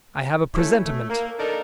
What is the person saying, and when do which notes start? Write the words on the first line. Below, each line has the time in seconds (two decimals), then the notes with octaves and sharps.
I have a presentiment.
0.54 A3 C#4 E4
0.85 A3
1.09 A#3
1.38 D4 D#4 A4 A#4